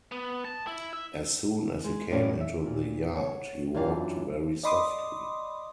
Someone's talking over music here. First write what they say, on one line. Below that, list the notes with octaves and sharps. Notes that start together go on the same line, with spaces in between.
As soon as he came into the yard he walked very softly.
B3
A5
E4
E5
G#3
A2 E3 C#4 A4 D5 F5
E5
A#2
C#5 F#5
F#2 E3 F#3 D4 F4 F5
D5 D#5 B5 C6 D6 D#6